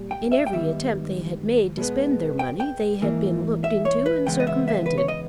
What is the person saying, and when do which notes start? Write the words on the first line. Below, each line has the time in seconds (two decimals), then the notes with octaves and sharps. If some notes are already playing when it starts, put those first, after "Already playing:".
In every attempt they had made to spend their money they had been looked into and circumvented.
Already playing: A#2 G3
0.11 G5
0.32 E5
0.47 G5
0.53 G#2 D#3 G3 B3 E5
1.78 B2 G#3 B3
2.39 G5
2.60 G5
3.02 G#2 E3 A#3
3.64 E5
3.85 C#5
4.06 B4
4.26 C#3 E3 G#3 B3 G5
4.40 D#5
4.47 E5
4.68 E5
4.86 B4
4.98 C#5
5.08 D#5